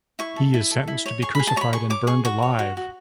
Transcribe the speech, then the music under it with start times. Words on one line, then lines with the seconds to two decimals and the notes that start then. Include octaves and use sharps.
He is sentenced to be crucified and burned alive.
0.19 E4 C#6
0.36 A4
0.54 E4
0.71 A4
0.88 E4
1.06 C#5
1.22 G#4 C#6
1.35 B5
1.39 G#4
1.47 A5
1.56 C#5 C#6
1.61 B5
1.73 G#4 C#6
1.90 C#5 D6
2.07 G#4 C#6
2.25 F#4 C#6
2.42 C#5
2.59 F#4
2.77 F#4